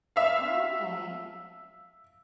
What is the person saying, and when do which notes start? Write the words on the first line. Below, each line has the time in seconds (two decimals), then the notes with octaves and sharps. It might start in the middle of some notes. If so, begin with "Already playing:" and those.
Oh, okay.
0.16 E5 F5